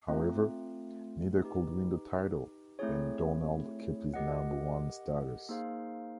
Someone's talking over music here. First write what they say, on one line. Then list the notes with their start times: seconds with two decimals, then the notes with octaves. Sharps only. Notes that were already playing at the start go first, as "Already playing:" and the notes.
However, neither could win the title and Donald kept his number one status.
0.08 A3 C4 F4
1.43 D#4 G4 B4
2.79 A3 C4 E4 G#4 C#5
4.14 G4 A#4 D#5 F#5
5.49 A#3 D#4 G#4 C5 F5